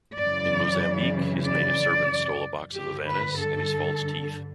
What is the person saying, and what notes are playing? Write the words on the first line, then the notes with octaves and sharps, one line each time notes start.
In Mozambique, his native servant stole a box of Havanas and his false teeth.
F#2 C#3 E3 D5
D5
G2 D3 G4
B4
A4